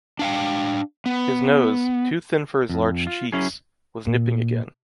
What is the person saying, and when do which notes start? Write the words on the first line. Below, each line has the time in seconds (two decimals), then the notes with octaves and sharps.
His nose, too thin for his large cheeks, was nipping again.
0.19 D4 F5 G5
1.06 B3
2.69 F2
3.07 F4
3.32 F#3 C#4 E4 G#4
4.07 A#2